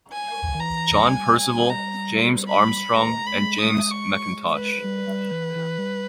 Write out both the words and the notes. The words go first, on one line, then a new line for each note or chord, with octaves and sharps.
John Percival, James Armstrong, and James McIntosh.
G#5
D#3
E3 A#5
G#3
G3 G#5
G#5
G3
A#5
B5
G#3 A#5
B5
A#3
G#3
D#6
C#6
B4
G3
G3
E3
E3
G3